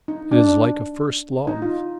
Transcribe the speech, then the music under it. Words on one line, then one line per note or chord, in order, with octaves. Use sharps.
It is like a first love.
D#4
D4
D#4
F4